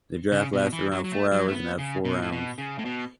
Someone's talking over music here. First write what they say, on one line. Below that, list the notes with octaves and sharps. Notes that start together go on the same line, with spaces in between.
The draft lasted around four hours and had four rounds.
C#3
B2
E3
F#3
F#3
A3
F#3
A3
B3
C#3
B2
A2
B2
C#3
A2
B2